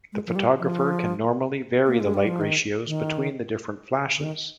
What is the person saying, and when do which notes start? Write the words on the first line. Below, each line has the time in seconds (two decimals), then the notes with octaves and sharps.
The photographer can normally vary the light ratios between the different flashes.
0.13 G#3
0.27 F3
0.36 G3
0.59 F3
1.87 A#3
2.00 G#3
2.14 G3
2.28 F3
2.41 D#3
2.87 D#3
4.17 D3
4.24 D#3